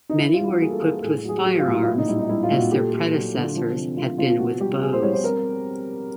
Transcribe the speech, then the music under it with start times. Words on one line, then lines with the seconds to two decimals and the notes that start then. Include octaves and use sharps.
Many were equipped with firearms, as their predecessors had been with bows.
0.09 D#4
0.20 E3 E4
0.34 F4
0.41 G3
0.48 F#4
0.62 A#3 G#4
0.70 A4
0.80 E3 G#4
0.99 A4
1.03 A2 G#4
1.25 F#3 G#4
1.37 G4
1.45 F#3 F#4
1.59 F4
1.66 A2
1.74 E4
1.83 F4
1.87 A#2 E4
1.98 D#4
2.08 G3 E4
2.19 D#4
2.29 G3 E4
2.43 F4
2.51 A#2
2.57 F#4
2.71 A3 G4
2.93 A3
3.13 F#3
3.35 D3
3.56 F3
3.76 C3
3.97 C3 F4
4.18 F3 F4
4.39 B2 F#4
4.60 G3 G4
4.81 C4 G#4
4.93 C5
5.02 G3 C#5
5.13 C5
5.23 C4 A#4